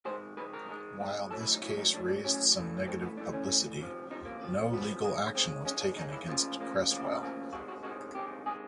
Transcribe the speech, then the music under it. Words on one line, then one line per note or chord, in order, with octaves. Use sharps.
While this case raised some negative publicity, no legal action was taken against Cresswell.
G#2 D#3 G#3 C5
G#2 D#3 G#3 B4
A#4
G#2 D#3 G#3
G#2 D#3 G#3
B1 A2 F#3 A4
E4
D#4
B1 A2 F#3 E4
D#4
B1 A2 F#3 D4
D4
B1 A2 F#3 C#4
G2 E3 A3
G2 E3 A3 C4
B3
G2 E3 A3 D4
C#4
G2 E3 A3
C#2 C3 F3
C#2 C3 F3 D#4
A#3
C#2 C3 F3
C#2 C3 F3 B3
D#2 D#3 G#3
D#2 D#3 G#3 C4
D#2 D#3 G#3 C#4
D4
D#2 D#3 G#3 D#4
E4
D2 C#3 F3 A#3 F4
D2 C#3 F3 A#3
D2 C#3 F3 A#3
D2 C#3 F3 A#3
C2 C3 D#3 G#3 F#4
F#4
C2 C3 D#3 G#3 F#4
C2 C3 D#3 G#3 G4
C3 D#3 G#3 G#4